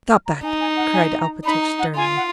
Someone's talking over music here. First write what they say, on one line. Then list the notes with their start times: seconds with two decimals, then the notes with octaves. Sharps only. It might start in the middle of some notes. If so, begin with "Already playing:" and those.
"Stop that!" cried Alpatych sternly.
0.10 F6
0.26 A#5
0.43 D#4 G#5
0.61 G#5
0.77 F#5
0.94 G#5
1.20 A#5
1.45 D#4 B5
1.62 A#5
1.79 F#5
1.96 F4 G#5
2.16 F#5